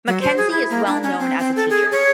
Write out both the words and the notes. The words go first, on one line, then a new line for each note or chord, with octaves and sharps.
MacKenzie is well known as a teacher.
F#3
C5
G#4
E4
A#3
D4
C#4
C4
C4
A4
G#4
C#5